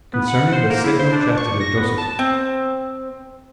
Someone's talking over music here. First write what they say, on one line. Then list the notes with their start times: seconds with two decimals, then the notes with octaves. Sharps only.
Concerning The Signal Chastity Of Joseph.
0.13 B3
0.28 F#5
0.52 C5
0.70 A#3
0.84 E4
0.99 C5
1.12 D4
1.37 C#6
1.60 A#6
1.77 B3
1.98 A5
2.19 C4